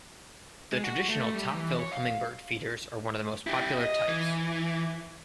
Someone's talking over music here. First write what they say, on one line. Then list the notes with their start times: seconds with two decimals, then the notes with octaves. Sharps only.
The traditional top-fill hummingbird feeders are one of the most popular types.
0.72 G#3
0.84 F#4
1.08 A3
1.34 G3
1.54 E3
1.80 C#5
1.93 F5
3.47 E4 G4
3.81 D#5
4.07 E3